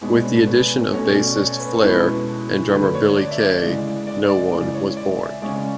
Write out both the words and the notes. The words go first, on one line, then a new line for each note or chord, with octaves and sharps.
With the addition of bassist Flare and drummer Billy K, No One was born.
B2 G#3 B3 D4
B3
C#4
A4
B4
B2 A3 C#4 F#4 C#5
D5
C#5
B4
A4
B2 G#3 C#4 E4 B4
D3 A3 D4 F#4 B4
C#5
D5
E5
D5
C#3 E3 G#3
D5
D5
C#3 E3 G#3 D5
C#5
D5
E5
C#3 G#3 C#4 D5